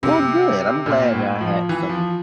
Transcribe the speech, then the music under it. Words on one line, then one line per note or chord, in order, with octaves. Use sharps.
Well, good, I'm glad I had some,
C3
A#2
A2
F3
E3
F3